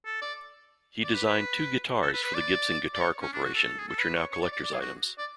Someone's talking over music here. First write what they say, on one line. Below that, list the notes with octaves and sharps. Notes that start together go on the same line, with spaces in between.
He designed two guitars for the Gibson Guitar Corporation, which are now collectors' items.
A4
D5
D5
B4
B4
A4
B4
B4
D5
D5
C#5
C#4
D4
F#4
A4
G#4
A4
B4
C#5
C#5
D5
D5
D5
G#4
F#4
D5